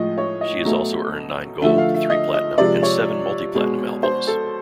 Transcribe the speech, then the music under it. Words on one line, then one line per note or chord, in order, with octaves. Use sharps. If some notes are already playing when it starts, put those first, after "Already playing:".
She has also earned nine gold, three platinum, and seven multi-platinum albums.
Already playing: A2 F3 G#3 D#5
C#5
D#5
B2 F#3 A3
D3 F3 A3 E5
F5
E5
D#5
D#5
C3 F3 G#3 D5
C#5
B2 G#3
C5
A4